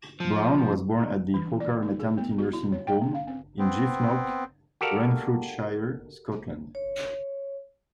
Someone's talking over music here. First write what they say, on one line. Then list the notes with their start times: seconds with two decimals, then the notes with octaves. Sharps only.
Brown was born at the Orchard Maternity Nursing Home in Giffnock, Renfrewshire, Scotland.
0.20 F3
1.34 E3
1.60 D5
1.82 D#4
2.00 G#4
2.17 B3
2.38 F#4
2.53 E4
2.72 C#5
2.87 G5
3.01 C#4
3.15 F5
3.27 C4
3.59 B3 C4
4.81 F#4 G4 A4 A#4 D5 F5
6.75 C#5